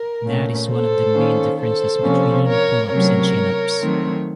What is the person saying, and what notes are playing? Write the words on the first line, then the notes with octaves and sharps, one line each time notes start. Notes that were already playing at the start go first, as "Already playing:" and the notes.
That is one of the main differences between pull-ups and chin-ups.
Already playing: A#4
A#2 A3 C#4
A4 C5
D#3 A#3 C#4
A4 C5
C3 F3 A#3 C#4
A#4 C#5
C3 F#3 A3 C#4 A#4 C#5
D#3 F#3 A3 C4